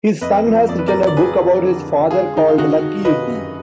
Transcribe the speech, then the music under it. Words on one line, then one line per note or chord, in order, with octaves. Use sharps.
His son has written a book about his father called "Lucky Eddie".
F2 B4 D#5
F3
F2 D5
B4
A#4 D5
F2
D5
F3 G#4 B4
F3
D3
D3
G#3 F4 G#4
D#3 D#4
F4
D#3 D#4 F#4
D#3
D#3 B4 D#5
F#2